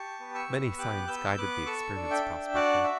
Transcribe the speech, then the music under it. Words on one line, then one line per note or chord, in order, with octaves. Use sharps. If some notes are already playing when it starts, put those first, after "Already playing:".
Many signs guided the experienced prospector.
Already playing: G4 A5 C#6
B3
C#6 E6
B3
G4 D6 F#6
B3 E6 G6
B3 D6 F#6
A4 C#6 E6
D4
E5 G5
D4
F#4 D5 F#5
E5